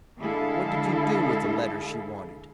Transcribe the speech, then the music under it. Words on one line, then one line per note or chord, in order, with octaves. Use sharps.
"What did you do with the letters she wanted?"
D3 G#3 E4 G#4 A4 F5